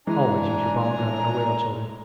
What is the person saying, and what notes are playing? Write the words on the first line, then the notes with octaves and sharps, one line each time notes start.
Always use your bomb-gun on a whale, children.
E3 G#3 D4 G#5 A#5